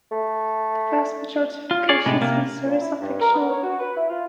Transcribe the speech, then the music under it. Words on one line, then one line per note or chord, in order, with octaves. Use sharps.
The vast majority of locations in the series are fictional.
A3
F4
G#4 C#5 D5
A2 C3 G#3
C3 A#3
A#2
E4
G2
A#4
B3
C#5
F#4
B4
E4
F4